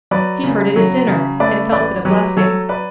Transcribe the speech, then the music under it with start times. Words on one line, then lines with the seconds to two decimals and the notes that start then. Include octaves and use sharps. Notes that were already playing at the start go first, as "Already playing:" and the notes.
She heard it at dinner, and felt it a blessing.
0.11 F#3 B4 D5
0.44 C#3
0.76 F#3
1.08 C#3
1.40 A3 B4 D5
1.72 A1 B4 D5
2.05 F#3 G4 B4
2.37 F#3 A4 C#5
2.69 B4 D5